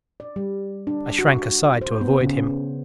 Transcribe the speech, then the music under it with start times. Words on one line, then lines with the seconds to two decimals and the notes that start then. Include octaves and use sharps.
I shrank aside to avoid him.
0.20 D5
0.36 G3
0.87 D4
1.19 F#4
1.81 C5
2.01 B3
2.21 C#3